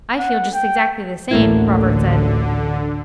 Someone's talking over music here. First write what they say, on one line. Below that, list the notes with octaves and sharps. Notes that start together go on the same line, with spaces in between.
'I feel just exactly the same,' Robert said.
F#5
G5
A1 D2 D3 A3 A#3 E4